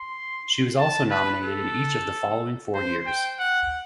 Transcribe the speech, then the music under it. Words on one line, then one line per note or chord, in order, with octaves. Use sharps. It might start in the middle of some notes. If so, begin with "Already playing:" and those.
She was also nominated in each of the following four years.
Already playing: C6
A5
B4
A4
C5
G5
F#5